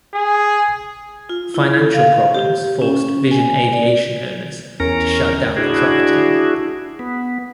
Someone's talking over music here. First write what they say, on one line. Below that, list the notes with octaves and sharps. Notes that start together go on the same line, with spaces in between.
Financial problems forced Vision Aviation owners to shut down the Truck team.
G#4
F4
E4
A4
F5
G4
C#4
G#5
D5
E2 C#4 A#4 A#5
D4 E4 F#4 G#4
B3